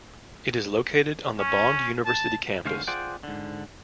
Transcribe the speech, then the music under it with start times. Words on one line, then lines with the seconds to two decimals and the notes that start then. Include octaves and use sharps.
It is located on the Bond University campus.
1.39 C#4
2.06 A5
2.65 D2 G#2 D3 C#4 C5 F5
2.88 F4 G#4 C5 D5 F#5 G5
3.23 G#2 D3